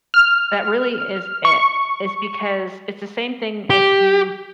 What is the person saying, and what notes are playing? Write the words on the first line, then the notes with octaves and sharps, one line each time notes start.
That really is it. It's because it's the same thing if you,
F6
C#6
G4